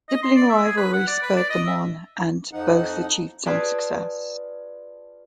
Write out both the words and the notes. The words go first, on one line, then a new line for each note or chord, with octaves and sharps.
Sibling rivalry spurred them on, and both achieved some success.
D#5
C6
D5
E5
G#4
B4
F#5
D5
B4
D5
D#5
E5
F2 F3 D#4 F#5
F4 G#4 B4 D5 G#5 A5